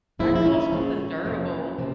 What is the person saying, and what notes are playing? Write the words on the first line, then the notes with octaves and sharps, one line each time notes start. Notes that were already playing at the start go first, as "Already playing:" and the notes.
I just want something durable.
A#2 F3 G#3 E4
E4
C#4
A#2 F3 G#3
F2 C3 F3 A#3
C3 F3 A#3